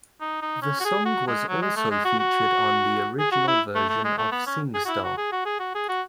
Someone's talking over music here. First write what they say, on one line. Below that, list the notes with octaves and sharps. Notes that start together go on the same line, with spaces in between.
The song was also featured on the original version of "Singstar".
D#4
D#4
C#4
F#4
G#4
F#4
G#3
F#3
G#3
A3
G#3
F#4
F#4
G#4
F#4
E4
A3
A3
G#3
A3
B3
C#4
G#4
F#4
E4
F#4
G#4
F#4
G#4
F#4
G#4
F#4